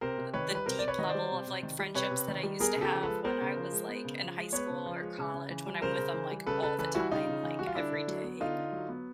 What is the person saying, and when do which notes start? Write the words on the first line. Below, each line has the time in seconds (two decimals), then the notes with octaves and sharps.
uh, the deep level of, like, friendships that I used to have when I was, like, in high school or college when I'm with 'em, like, all the time, like, every day.
0.01 C3 A#4 C5
0.18 C3
0.33 D#3 B4 C#5
0.50 G3 B4
0.66 C3 A#4 C5
0.79 D5
0.83 C3
0.88 B4 C#5
0.99 D#3 D#5
1.09 C5 D5
1.14 G3
1.31 C3
1.47 C3
1.63 D#3
1.79 G3
1.95 C3 B4 C#5
2.11 C3
2.28 D#3
2.43 G3
2.60 B3 G#4 A#4
2.76 C#3
2.81 G4 A4
2.92 F3
3.03 A4 B4
3.08 G#3
3.24 B3 A#4 C5
3.41 C#3
3.57 F3
3.72 G#3
3.88 B3
4.05 C#3
4.22 F3
4.37 G#3
4.53 B3 B4 C#5
4.70 C#3
4.86 F3
5.01 G#3
5.18 C#3
5.34 C#3
5.50 E3
5.66 G3
5.82 C#3 A#4 C5
5.98 C#3
6.14 E3
6.31 G3
6.46 C#3 A4 B4
6.62 C#3 A4 B4
6.78 E3 A4 B4
6.95 G3 E4 F#4
7.11 C#3 D#4 F4
7.28 C#3
7.43 E3
7.59 G3 F#4
7.67 F4
7.75 D3 D4 E4
7.91 D3
8.07 F#3
8.23 B3
8.40 D3 D#4 F4
8.57 D3
8.72 F#3
8.89 B3